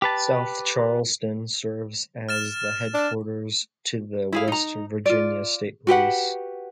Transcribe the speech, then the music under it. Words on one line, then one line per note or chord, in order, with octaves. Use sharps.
South Charleston serves as the headquarters to the West Virginia State Police.
G4 B4 A5
F6 A6 E7
D4
E4 G#4 F5
D#4 A#5
F4 D5
F#4 G4 B4 F#5